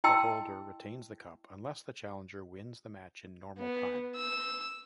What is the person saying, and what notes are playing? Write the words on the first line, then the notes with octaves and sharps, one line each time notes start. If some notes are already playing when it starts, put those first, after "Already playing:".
The holder retains the cup unless the challenger wins the match in normal time.
E4 D#5 G5 A5 C6 E6
B3
E6